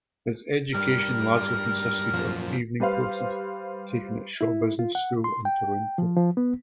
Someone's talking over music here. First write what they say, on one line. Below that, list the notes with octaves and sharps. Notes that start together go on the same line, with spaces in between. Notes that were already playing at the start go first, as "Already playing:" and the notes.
His education largely consisted of evening courses taken at Shaw Business School in Toronto.
G2 G3 A#4
F#2 A#2 F3
G3 B4 C5 F5
E4
F4
F#5
C6
G5
F3
F3
B3